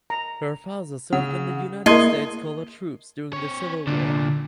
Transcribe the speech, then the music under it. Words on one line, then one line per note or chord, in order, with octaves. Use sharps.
Her father served in the United States Colored Troops during the Civil War.
A#5
C#3 F#5
A#3 E4 A#4 D#5 C6 G#6 C7
C4 C#5
C2 A#2 D3